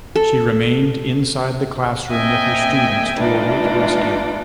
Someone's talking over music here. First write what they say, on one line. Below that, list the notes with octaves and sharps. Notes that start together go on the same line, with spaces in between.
She remained inside the classroom with her students to await rescue.
A4
A#3 C4 D#5 E5 G5 G#5
E3 G#3 A#3 D4 D#4 F4